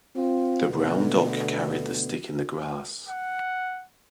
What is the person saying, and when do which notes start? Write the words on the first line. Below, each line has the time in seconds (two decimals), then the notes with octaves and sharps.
The brown dog carried the stick in the grass.
0.15 C4 F4
0.70 B2 D3 A3 B3
3.09 F#5